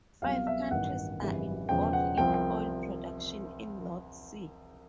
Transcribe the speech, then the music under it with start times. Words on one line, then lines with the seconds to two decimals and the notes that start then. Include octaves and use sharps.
Five countries are involved in oil production in North Sea.
0.22 C2 B2 F#3 F5
0.47 E5
0.71 A1 G2 D#3 F#5
1.20 G#1 F#2 C#3 E3 G3
1.69 E1 E2 C#3 F3 G5
1.93 F#5
2.18 C2 C3 F3 G5
2.34 G5